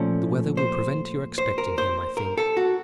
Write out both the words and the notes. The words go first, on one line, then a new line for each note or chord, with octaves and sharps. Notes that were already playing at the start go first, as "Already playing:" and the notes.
The weather will prevent your expecting him, I think.
Already playing: A#2 F3 A3 C#4
C5
C5
A#4
C5
A#4
A4
F#4